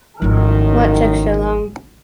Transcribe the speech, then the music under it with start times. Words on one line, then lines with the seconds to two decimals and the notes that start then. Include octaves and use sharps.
What took so long?
0.22 G#1 F#2 A2 D#3 F3